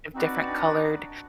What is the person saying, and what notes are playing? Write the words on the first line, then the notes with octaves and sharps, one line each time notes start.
of different colored
C4 D#4 F#4 B4 D5 F#5
D4